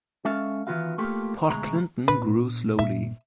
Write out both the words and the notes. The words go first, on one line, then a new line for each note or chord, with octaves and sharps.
Port Clinton grew slowly.
G#3 C#4 A4 E5 F5
D#3 E3 B3 F4 F#4 F5
A3 A#3 F4 G4 A4
D2 B2 G#3 A#5
A#2 B3 D4 B4
G2 A#2 A#3 E5